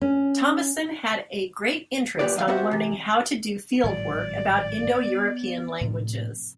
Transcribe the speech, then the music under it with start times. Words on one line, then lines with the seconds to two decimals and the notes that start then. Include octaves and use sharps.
Thomason had a great interest on learning how to do fieldwork about Indo-European languages.
0.01 C#4
2.19 F#2 A#2 G3 G4 B4 D5
2.35 E2 F#3 D#5 F5
2.48 B3 C4 F#4 G4 C5 E5
2.71 C3 E3
3.83 G#1 A2 F#3 D5
4.88 B3
5.81 A2 C3 F3